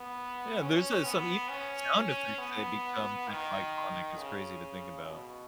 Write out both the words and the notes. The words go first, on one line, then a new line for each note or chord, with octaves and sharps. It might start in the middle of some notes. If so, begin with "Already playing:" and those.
Yeah and there's, uh, some e sound effects that become kind of iconic, it's crazy to think about.
Already playing: B3
C#4
B3
C#4
B3
D#3
C#3
B2